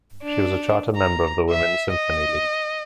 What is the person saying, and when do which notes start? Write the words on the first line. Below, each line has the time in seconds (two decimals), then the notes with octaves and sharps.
She was a charter member of the Women's Symphony League.
0.23 D4
0.96 A#5
1.50 E5
1.91 D#5